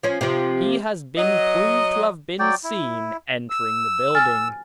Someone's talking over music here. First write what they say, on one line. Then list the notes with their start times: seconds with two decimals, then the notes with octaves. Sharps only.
He has been proved to have been seen entering the building.
0.03 F3 C#4
0.21 C3 F3
1.17 F#3 D#5
2.39 F#3 D5 G5
2.64 E4
3.50 E6
4.15 G#5 F6 A6